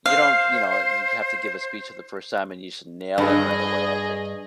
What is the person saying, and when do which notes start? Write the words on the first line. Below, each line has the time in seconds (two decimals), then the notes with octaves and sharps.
you don't, you know, have to give a speech for the first time and you should nail it right away, I think
0.06 C5 F5
3.18 G2 G#4 D#5